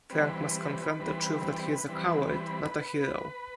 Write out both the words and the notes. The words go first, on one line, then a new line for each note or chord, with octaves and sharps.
Frank must confront the truth that he is a coward, not a hero.
E3 G3 C4 B4
E3 G3 C4
E3 G3 C4 B4